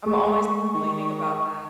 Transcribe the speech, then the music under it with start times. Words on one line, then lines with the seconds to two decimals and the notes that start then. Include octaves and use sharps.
I'm always complaining about that.
0.06 G#3 C#6
0.75 D#3